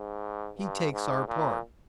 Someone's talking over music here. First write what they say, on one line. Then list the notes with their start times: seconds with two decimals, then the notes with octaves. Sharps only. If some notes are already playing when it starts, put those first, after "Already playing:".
He takes our part.
Already playing: G#2
0.57 G2
0.93 G#2
1.28 A#2